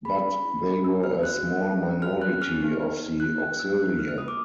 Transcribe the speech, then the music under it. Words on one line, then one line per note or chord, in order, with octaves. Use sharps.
But they were a small minority of the "auxilia".
G#4 B5
C#4
E4
C#4
A4 E6
D4 F6
F#4 F#6
D4
A4
C#4
F#4 F6
C#4 F#6
G#4 F6
B3
D#4
B3
G4 F#6
B3 F#6
E4 E6
B3 F#6
F4 F6
F6
A#3 D#6
D6